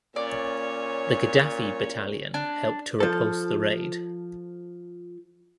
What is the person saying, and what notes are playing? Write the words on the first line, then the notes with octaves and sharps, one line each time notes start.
The Gaddafi Battalion helped to repulse the raid.
A#2 C#4 C#5 D5
D4
F3 A4